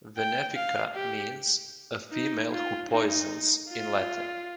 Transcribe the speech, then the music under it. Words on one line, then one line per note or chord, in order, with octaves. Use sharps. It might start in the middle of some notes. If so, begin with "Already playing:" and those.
"Venefica" means "a female who poisons" in Latin.
G5
F5
G4
D#4
F4
D#4
F4